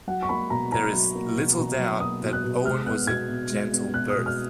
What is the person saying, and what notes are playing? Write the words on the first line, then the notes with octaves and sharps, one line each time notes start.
There is little doubt that Owen was of gentle birth.
F#3 F#5
C#6
A#3 B5
B2 A#5
B2 A#5
F#3
A#3
B2
B2
F#3
A#3 D#6
B2
F#6
B2
G#3 F6
B3 F#6
B2 G#6
B2
G#3
B3
B2 F#6
D#6
B2
F6